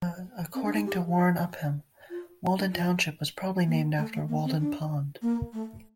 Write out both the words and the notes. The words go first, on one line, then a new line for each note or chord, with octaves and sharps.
According to Warren Upham, Walden Township was probably named after Walden Pond.
C4
D4
D#4
G4
F4
D4
F4
A#3
A3
A3
A#3
C4
D4
A#3
A3